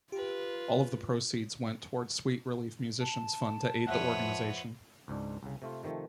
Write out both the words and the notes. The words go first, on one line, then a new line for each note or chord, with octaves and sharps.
All of the proceeds went toward Sweet Relief Musicians Fund to aid the organization.
F4 G4 B4
A5
F2 B4 C#5 E5 F#5
C#2 G#2 D4
C2 C#3
C3 A3 F4
C3 D#3 F3 A3